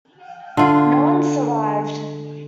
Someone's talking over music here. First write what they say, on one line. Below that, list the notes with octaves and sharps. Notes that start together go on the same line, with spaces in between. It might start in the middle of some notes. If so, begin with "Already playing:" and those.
No one survived.
D3 F4